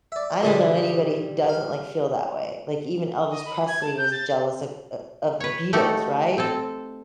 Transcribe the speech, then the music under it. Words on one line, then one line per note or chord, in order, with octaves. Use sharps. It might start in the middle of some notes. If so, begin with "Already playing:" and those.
I I don't know anybody who doesn't, like, feel that way. Like, even Elvis Presley was jealous of, uh, of the Beatles, right?
D5 E5
A#2 D3 G3 D4 G#4 C5
F5
D#5
B5
G#6
A5
G6
A6
B4 C#5
A3 D#4 F#4 G4 A4
C4 A4